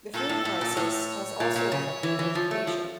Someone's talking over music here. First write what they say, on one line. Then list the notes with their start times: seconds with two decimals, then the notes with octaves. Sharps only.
The food crisis has also affected education.
0.14 A#2 A4
0.29 A2
0.45 A2
0.61 A#2
0.77 A2 C#5
1.40 A#2
1.56 A#2
1.72 C#3
2.03 E3
2.19 E3
2.35 F3
2.51 A3
2.67 F3